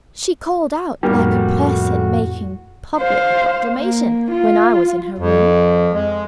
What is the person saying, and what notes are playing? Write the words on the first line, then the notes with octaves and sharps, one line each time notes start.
She called out, like a person making public proclamation, when I was in her room.
F2 A2 G3 A#3 F#4
C5 F5
A#3
F4
F2
G#3